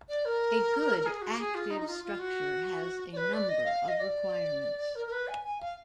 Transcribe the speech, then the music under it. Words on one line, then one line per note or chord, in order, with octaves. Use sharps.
A good active structure has a number of requirements.
D5
A#4
G#4
F#4
G#4
F4
D#4
D#4
F4
F4
F#4
D5
B4
D5
D#5
F5
D#5
D5
A#4
A#4
B4
G#5
G#5
F5